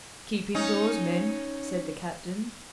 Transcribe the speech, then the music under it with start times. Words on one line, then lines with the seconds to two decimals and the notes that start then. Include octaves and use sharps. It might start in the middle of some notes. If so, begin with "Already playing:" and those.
"Keep indoors, men," said the captain.
0.55 C#4 D#4